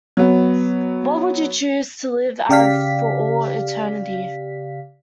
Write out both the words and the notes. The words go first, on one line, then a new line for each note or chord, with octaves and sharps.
What would you choose to live out for all eternity?
F#3 B3
C#3 G4 D5 F5 B6